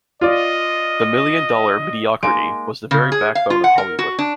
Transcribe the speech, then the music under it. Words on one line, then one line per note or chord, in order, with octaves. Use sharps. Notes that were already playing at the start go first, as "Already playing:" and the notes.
The million-dollar mediocrity was the very backbone of Hollywood.
F4 D5 D#5
G#3 A#3 D#4 D7
C#3
G#4
F5
F4
F#5
A#4
F#4
D4